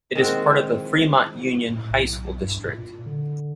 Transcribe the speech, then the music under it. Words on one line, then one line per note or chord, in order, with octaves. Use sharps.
It is part of the Fremont Union High School District.
D#3 G#3 C4 F#4
A2
B1
G2
A#2
D3